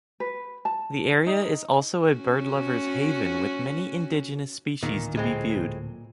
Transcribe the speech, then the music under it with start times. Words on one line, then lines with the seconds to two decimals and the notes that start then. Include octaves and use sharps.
The area is also a bird-lovers haven with many indigenous species to be viewed.
0.20 B4
0.65 A5
1.26 D#4
2.12 C#4 F#4
4.83 D1 A#2 D#3
5.15 A2 G#3 C4